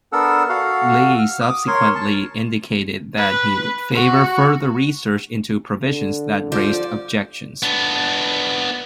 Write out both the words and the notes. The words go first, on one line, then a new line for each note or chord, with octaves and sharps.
Leahy subsequently indicated that he would favor further research into provisions that raised objections.
B3 D4 A4 A#4 F#5 E6
F#4 A4 F5 F#5
F6
D6 D#6
A#4 C#5 C6 C#6
A5
B4
F#4
D3
F3 G3 F4 D5
B3 D4